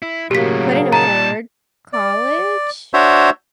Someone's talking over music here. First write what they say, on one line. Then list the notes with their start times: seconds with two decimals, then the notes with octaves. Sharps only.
couldn't afford college,
0.02 E4
0.31 B1 A2 C#3 F#3 A#3 G4 B6
0.93 A#2 D#4 A5 A#5
1.93 D5
2.94 D4 F#4 C5 C#5 E5